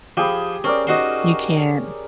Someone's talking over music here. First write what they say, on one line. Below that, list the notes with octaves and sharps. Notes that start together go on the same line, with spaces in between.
You can't.
F3 G4 G#4 B5
C4 C#4 A#4 D5
D#4 F#4 C5